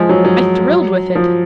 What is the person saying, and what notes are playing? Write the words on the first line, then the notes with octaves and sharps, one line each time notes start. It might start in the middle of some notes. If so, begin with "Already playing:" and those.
I thrilled with it.
Already playing: F3 G#3
F#3
F#3
F3